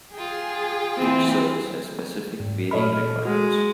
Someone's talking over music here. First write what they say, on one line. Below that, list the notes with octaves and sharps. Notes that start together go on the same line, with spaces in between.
Each service has specific varying requirements.
F4 G#4 G5
E3 C4
G#2
A#2 A4 C#5 D#5 B5 F6
G#3 F#4